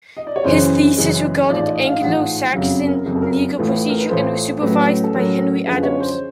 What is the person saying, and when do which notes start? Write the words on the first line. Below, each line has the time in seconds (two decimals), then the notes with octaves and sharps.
His thesis regarded "Anglo-Saxon Legal Procedure" and was supervised by Henry Adams.
0.17 D#5
0.27 D5
0.36 C#5
0.44 F#1 F#2 C#3 E3 G#3 C5
0.97 F#1 F#2 C#3 E3 G#3
1.49 A1 G#2 F3 D5
1.66 D#5
1.84 F5
2.01 A1 G#2 F3 F#5
2.53 F#1 F2 C#3 F#3 F5
2.88 A#4
3.05 F#1 F2 C#3 F#3 A#4
3.16 A4
3.22 A#4
3.58 A1 A2 F3 A3 B4
3.89 A#4
4.00 B4
4.09 A1 A2 F3 A3 C5
4.61 A2 F#3 A3 C#4 B4
5.04 A4
5.14 A2 F#3 A3 C#4 A#4
5.66 F#2 D3 F3 G#3 C#4 B4
5.83 C#5
6.00 C5